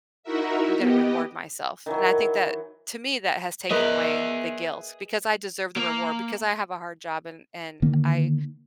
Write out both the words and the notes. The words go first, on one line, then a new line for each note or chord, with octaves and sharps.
"I'm gonna reward myself," and I think that to me that has taken away the guilt, because I deserve the reward, because I have a hard job, and and I
D#4 E4 F#4 A#4 E5
B3 G4 D#5
D#3 E3 F#3
G#4 A#4 B4 D#5 E5
A#3
D3 D#3 A#3